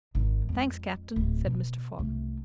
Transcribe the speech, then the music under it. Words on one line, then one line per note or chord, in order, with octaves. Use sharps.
"Thanks, captain," said Mr. Fogg.
G#1 D#3
F2 G#3
D1
B2
C2 A3